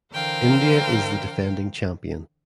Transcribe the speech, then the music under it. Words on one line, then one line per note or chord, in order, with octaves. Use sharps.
India is the defending champion.
D3 E3 A#4 C5 F5 G5